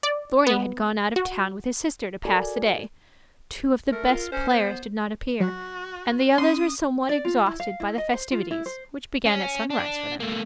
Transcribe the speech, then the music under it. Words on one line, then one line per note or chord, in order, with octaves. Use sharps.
Thorny had gone out of town with his sister to pass the day, two of the best players did not appear, and the others were somewhat exhausted by the festivities, which began at sunrise for them.
D5
B3
F#4
F#4 A4 A#4 D5 G#5
A3 A#4
F4
C#4 C5
B3
F#3 F#4
C#4 C6 D#6
D5
F4
E4
F5
E4
D#5
C5
F4
E4
C5
C#4
D4
A3 A#3